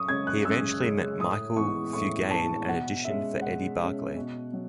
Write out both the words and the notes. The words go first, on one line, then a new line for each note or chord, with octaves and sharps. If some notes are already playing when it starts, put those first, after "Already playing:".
He eventually met Michel Fugain and auditioned for Eddie Barclay.
Already playing: F#2 C#6 D#6
C#3 G#3 C#4 G#6
F#6
F#2 E6
C#3 G#3 C#4
A2 D#6
E3 G#3 B3 C#6
A2 C#6
E3 G#3 B3 A5
B2 F#5
G#3 C#4 E5
B2 F#5
G#3 C#4
B2
F#3